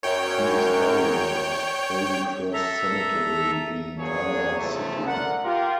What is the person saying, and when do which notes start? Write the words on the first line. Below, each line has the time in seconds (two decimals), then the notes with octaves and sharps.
He is buried at Holy Cross Cemetery in Culver City.
0.03 F#2 C#5 G5
2.53 A4 E5 A#5
3.98 E2 G2 F#3 A#3 G#4 C#5
4.59 E2 C#3 F3 A3
5.06 F#2 D3 A#4 F#5
5.44 F4 G4 A#4